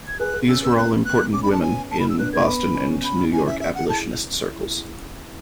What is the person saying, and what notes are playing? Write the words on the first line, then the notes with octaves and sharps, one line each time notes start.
These were all important women in Boston and New York abolitionist circles.
G#6
G#4 B4 F#6
G#4 B4
C#4 E6
B3 E6
B3 F#6
F#6
C#4 D6
B5
B3 A5
C#4 G#5
A5
B5
E6
B3 D4 F#6
B3 G#6
B5
C#4
B5
C#4 E4 G#5
E5
E5
F#5
E4 G#4 A5